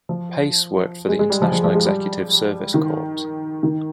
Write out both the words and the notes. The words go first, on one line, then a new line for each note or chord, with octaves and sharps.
Pace worked for the International Executive Service Corps.
F3
G#3
G#3
G3
F3
F3
F3
G#3
G3
D#3
D#3